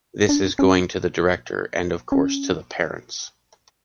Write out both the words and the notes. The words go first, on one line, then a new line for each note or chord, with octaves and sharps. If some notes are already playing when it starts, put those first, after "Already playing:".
This is going to the director and of course to the parents.
D4
C#4
C#4